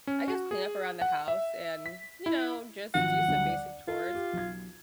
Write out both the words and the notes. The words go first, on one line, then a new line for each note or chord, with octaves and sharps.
I guess, clean up around the house and, you know, just do some basic chores,
C#4
F#4
G#4
F#5
E5
B6
E4
G#1 F3 F#3 F#5
D2 F#3 G3
D5
F4 A4
G4
B1 G#6